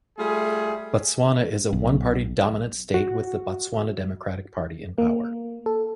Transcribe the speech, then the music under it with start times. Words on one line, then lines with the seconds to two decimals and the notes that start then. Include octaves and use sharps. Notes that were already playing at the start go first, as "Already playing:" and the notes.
Botswana is a one party dominant state with the Botswana Democratic Party in power.
0.18 G3 A3 F4 G#4
1.73 B1
2.94 F#4
4.98 A#3
5.66 A4